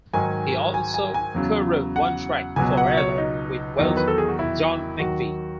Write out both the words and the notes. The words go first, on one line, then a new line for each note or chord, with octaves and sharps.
He also co-wrote one track, "Forever", with Welch and John McVie.
G#2 D#3 F#3 G#5
G#5
G#5
G#5
E2 C#3 F#3
F#5
C#2 B2 F#3 G#5
F#5
C#5
D#4
E2 D#3 F#3 D#4
B4
A4
G#4
F#4
E4
D#2 D#3 F#3 F#4